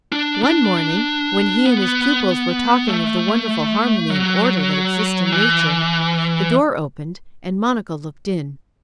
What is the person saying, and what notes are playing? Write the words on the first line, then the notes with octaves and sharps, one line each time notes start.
One morning, when he and his pupils were talking of the wonderful harmony and order that exist in nature, the door opened and Monica looked in.
D4
D4
B3
A3
F#3
E3